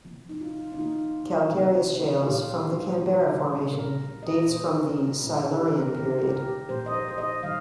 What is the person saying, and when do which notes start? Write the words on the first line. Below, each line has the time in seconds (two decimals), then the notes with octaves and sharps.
Calcareous shales from the Canberra Formation dates from the Silurian period.
0.04 C3 F3 A#3
0.29 D#4
0.41 F4
0.72 D#4
0.78 D#3 A#3 F4
1.52 C3 F3 A#3
2.21 F4
2.25 A#2 F3 A#3 G4
3.00 D#3 G3 A#3
3.73 A#2 A#3 A#4
4.23 D#5
4.47 A#2 A#3 C5
4.84 A#4
5.21 A#2 F3 A#3 F4
5.58 G4
5.67 A#4
5.78 G4
5.88 A#4
5.95 D#3 A#3 G4
6.08 A#4
6.19 G4
6.29 A#4
6.39 G4
6.69 A#2 F3 A#3 C5
6.86 D#5
6.94 C5
7.08 C5
7.18 D#5
7.43 D#3 G3 F5